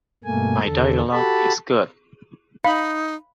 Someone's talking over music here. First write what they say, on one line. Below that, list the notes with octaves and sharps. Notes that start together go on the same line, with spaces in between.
My dialog is good.
G2 B2 A3 A#3 G#5
E2 D3 A4
F#4 G4 A4 A5 B5
D#4 F5 B5